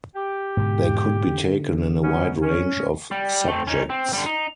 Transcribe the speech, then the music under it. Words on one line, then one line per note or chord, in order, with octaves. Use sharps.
They could be taken in a wide range of subjects.
G4
G#2 B2 D3
D3
F#3 B3 C#4
C#4
G3
A3 C4
C#4 D#4
C4
D3 G3
D#4